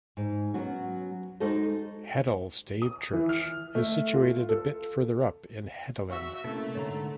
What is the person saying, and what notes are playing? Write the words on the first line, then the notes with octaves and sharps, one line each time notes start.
Hedal stave church is situated a bit further up in Hedalen.
G#2
F#3 B3 C#4 F#4
G#3 D#4 F#4 A4 C5 D#5
D#6
E3
F6
A3
F4
A4
F#4 E5 F5 C#6 E6
C3 A3 A#3 C#4 E4 A4
G#2 D3 C#5 A#5